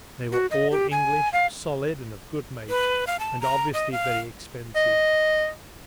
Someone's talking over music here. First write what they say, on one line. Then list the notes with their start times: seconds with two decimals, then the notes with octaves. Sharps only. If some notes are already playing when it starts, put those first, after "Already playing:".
They were all English, solid, and of good make, and obviously very expensive.
0.32 F#4
0.51 D#5
0.71 G4
0.91 G#5
1.33 F5
2.68 B4
3.07 F5
3.20 A5
3.41 A#5
3.73 D#5
3.92 F5
4.76 D#5